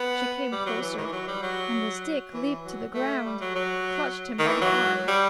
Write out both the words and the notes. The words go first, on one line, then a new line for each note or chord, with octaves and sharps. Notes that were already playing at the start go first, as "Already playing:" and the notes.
She came closer, and, as Dick leaped to the ground, clutched him by the arm.
Already playing: B3
G3
F#3
E3
D#3
E3
F#3
G3
F#3
E3
F#3
A3
G3
F#3
F#3
D#3
E3
F#3
G3